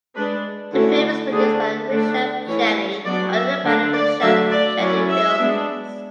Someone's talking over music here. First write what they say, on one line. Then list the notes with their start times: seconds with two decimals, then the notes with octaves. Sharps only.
The film is produced by Rishab Shetty under the banner Rishab Shetty Films.
0.15 G#3 D4 B4
0.73 D3 A3 C#4 E4 F#4
1.31 D3 A3 D4 G#4
1.60 A4
1.90 D3 A3 D4
2.47 E3 A3 C#4 E4 C#5
3.05 F#3 B3 D4 D5
3.34 E5
3.64 D3 A3 D4
3.93 D5
4.21 D3 F#3 A3 D4 E5
4.51 D5
4.79 F#3 C#4 E4 D5
5.09 E5
5.38 G#3 B3 D4